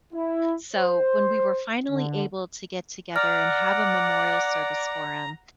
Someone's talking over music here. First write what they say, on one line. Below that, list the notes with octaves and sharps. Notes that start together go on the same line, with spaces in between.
so when we were finally able to get together and have a memorial service for him
E4
C5
D3
D5 F#5 A#5 F6